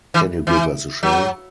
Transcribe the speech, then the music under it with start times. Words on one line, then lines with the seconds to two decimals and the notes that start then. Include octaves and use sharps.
Can you give us a show?
0.14 E3
0.47 E3
1.03 F#3